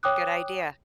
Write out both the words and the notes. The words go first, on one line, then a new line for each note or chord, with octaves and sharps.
Good idea.
C#5 G5 D6 D#6 F#6